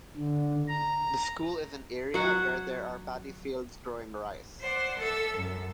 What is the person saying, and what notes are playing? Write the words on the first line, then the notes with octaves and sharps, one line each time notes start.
The school is an area where there are paddy fields growing rice.
D3
A#5
F#3 F#5
C5 D5 F#5
A4 E5 E6
F#2